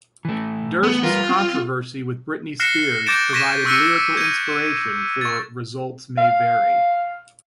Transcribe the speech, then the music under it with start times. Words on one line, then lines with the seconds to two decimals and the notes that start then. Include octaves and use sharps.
Durst's controversy with Britney Spears provided lyrical inspiration for "Results May Vary".
0.25 E3 A3
0.83 B3
1.03 G3 F4 A#4 B4
1.29 C4
2.60 F6 F#6 A#6 C7 C#7 E7
3.06 D6 G6 A6 A#6 D7 E7
3.33 C#6 G#6 A#6 B6 D#7 E7
3.65 C#6 E6 F#6 B6 C#7 D#7
4.17 G#6 D#7
5.21 C#6 A6
6.18 F5